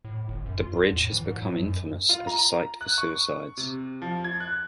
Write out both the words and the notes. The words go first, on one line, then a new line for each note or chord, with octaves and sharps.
The bridge has become infamous as a site for suicides.
A2
G1
F#2
F4
E2
A2
E3
G#2
F#3
F#2
F4
A#5
F#6
C#6
C3
F3
G#6
F#6